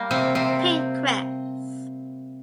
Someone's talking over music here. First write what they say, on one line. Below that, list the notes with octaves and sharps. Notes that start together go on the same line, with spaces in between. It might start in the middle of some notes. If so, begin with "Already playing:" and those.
Pink Cres.
Already playing: G3 A#3
C3 C4
C3 C4